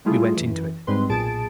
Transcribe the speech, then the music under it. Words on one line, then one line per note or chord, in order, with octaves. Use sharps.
We went into it.
G3 A3 E4 F4 G#4 A4
F#2 E3
G#2 G3 G#3 C4 B4 C6
B1 A#2 G#4 A5 A6 D7